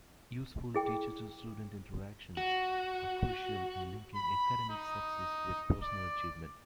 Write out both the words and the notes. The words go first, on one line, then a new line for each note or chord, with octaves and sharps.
Useful teacher-to-student interactions are crucial in linking academic success with personal achievement.
E4 G#4 G5
F#4
B5
D#4
D5